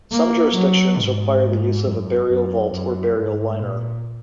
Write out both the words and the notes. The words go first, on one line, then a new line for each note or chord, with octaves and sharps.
Some jurisdictions require the use of a burial vault or burial liner.
A#3
F#3
G#2
F#2
F#2
F#2
G#2
A#2